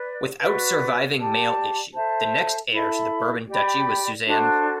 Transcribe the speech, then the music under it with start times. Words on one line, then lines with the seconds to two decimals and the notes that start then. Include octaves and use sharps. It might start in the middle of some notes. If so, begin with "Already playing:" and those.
Without surviving male issue, the next heir to the Bourbon Duchy was Suzanne.
Already playing: B4 D5
0.40 F#4 B4 D5
1.17 G4 D5 A5
1.94 A4 C5 E5 A5
2.71 E4 A4 E5 B5
3.48 G4 D5 G5 B5
4.25 D4 F#4 A4 C5